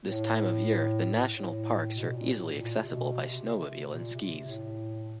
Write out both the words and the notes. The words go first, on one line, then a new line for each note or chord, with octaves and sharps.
This time of year the national parks are easily accessible by snowmobile and skis.
A2
A2
B2
A#2
A2
A#2
C3
B2
C3
A#2
C3
A2